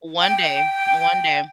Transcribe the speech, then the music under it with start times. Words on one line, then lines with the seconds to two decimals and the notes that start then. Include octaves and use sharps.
one day, one day.
0.21 G5